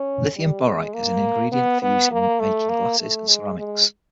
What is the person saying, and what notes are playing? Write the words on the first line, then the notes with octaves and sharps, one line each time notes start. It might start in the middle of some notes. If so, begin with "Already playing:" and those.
Lithium borate is an ingredient for use in making glasses and ceramics.
Already playing: C#4
G3
G#3
A#3
B3
B3
A#3
A3
A#3
A3
G#3
G#3